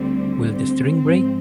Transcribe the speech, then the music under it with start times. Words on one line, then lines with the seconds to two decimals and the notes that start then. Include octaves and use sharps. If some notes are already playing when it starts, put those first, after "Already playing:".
Will the string break?
Already playing: D2 D3 G3 C4
0.49 C4
1.01 G#2 F3 G#3